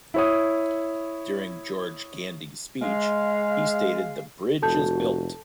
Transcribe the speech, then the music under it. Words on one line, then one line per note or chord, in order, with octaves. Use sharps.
During George Gandy's speech, he stated; The bridge is built!
E4 C#5 D#6
G#3 F5
F1 F#4 A4 A5 G6